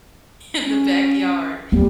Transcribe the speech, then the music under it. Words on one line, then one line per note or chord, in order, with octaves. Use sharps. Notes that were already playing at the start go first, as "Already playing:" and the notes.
in the backyard.
C#4
F2 G3